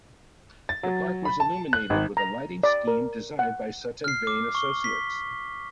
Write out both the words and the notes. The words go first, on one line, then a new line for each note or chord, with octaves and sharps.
The park was illuminated with a lighting scheme designed by Sutton Vane Associates.
A6
F#3
B5
A5
F#6
G#1
A#5
D5
A#4
F#5
F6 C7
D6
C#6 G7
B6